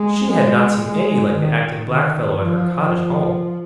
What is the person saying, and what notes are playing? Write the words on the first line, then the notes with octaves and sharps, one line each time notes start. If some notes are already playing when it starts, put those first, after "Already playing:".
She had not seen any like the acting Blackfellow at her cottage home.
Already playing: G#3
G#3
G#3
D#3
D#3
F3